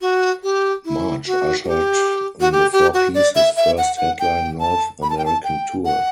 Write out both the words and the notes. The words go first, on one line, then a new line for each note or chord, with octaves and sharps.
March ushered in the four pieces first headline North American tour.
F#4
G4
E4
F#4
F#4
G4
F#4
G4
G4
F#4
D5
E5
E5
F#5
F#5
G5
A5
B5
A5
G5
A5
G5
F#5